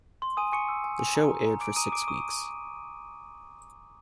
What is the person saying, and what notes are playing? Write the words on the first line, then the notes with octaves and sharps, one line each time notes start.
The show aired for six weeks.
C6
G#5 D#6 D#7
G#5 C#6 C#7
E6
G#5
G#5
A#5
A#5
A#5
D6 D7
A#5 D#6 D#7
D6 D7
C#6 D#6 D#7